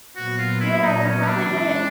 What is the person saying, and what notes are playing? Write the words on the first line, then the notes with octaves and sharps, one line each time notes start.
Yeah, we probably wouldn't
A#2 F#3 B3 F#4
F4
E4
D#4
C#4
D4
E3 G#3 C#4